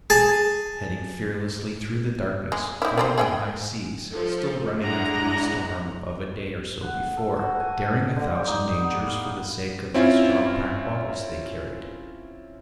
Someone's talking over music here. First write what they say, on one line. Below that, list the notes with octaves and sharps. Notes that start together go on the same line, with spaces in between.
Heading fearlessly through the darkness, fighting the high seas, still running after the storm of a day or so before, daring a thousand dangers for the sake of the straw-packed bottles they carried.
G#4 A5
G#3
D#4 E4
D#3 C4 C5
G#4 E5 G5
F3 A4
G#3 D4 E4 F#5 A#5
F#5
A4
F#4
G#5
D3
G4
D#4
B3
F5
C4 C#4 E4 F4